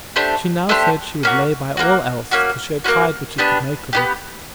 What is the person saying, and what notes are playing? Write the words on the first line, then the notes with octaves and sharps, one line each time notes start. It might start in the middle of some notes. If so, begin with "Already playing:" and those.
She now said she would lay by all else till she had tried what she could make of it.
A3 D4 G4 C5
A3 D4 G4 C5
A#3 C#4 F#4
A#3 C#4 F#4
A#3 C#4 F#4
A#3 C#4 F#4
B3 D4 G4
B3 D4 G4